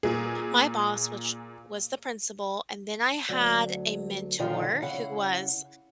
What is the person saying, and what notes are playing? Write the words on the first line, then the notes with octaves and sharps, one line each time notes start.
my boss, which was the principal, and then I had a mentor who was
A#2 G#4
D2 F#3
A#2 D3 D#3 F3 D#4 F4
C#3 E4 F5 F#5